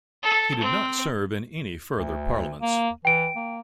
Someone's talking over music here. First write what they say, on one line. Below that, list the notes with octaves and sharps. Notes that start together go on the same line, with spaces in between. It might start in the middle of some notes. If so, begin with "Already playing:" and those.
He did not serve in any further Parliaments.
A4
C4
D2
A#3
E3 G5 D7
A#3